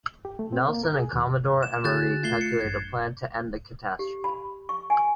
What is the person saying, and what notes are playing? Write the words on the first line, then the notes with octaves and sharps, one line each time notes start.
Nelson and Commodore Emery calculate a plan to end the catastrophe.
G4
A3
C4
A#3
A#4
G#4
D#2
E7
D3 F#4 G#4 F#6 G6 A6
A3 F4 G#6 C7 G7
C#7
A1 G2 G#6
G4
B5
C#6
G#5